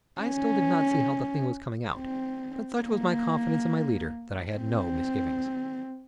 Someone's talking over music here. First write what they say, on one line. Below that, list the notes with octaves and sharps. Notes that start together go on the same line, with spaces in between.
I still did not see how the thing was coming out, but such was my confidence in my leader that I had no misgivings.
C#4
C4
A#3
C4